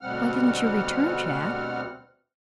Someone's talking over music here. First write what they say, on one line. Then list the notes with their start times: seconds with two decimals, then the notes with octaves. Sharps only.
Why didn't you return, Jack?
0.01 D2 B2 G3 C4 F#5 F6